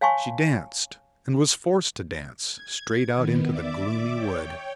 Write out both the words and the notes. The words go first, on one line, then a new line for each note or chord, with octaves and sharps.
She danced, and was forced to dance straight out into the gloomy wood.
C#5 F5 G#5 A5 C6 C#6
G#6
D#3 B3
D5 E5 D6
C#5 G5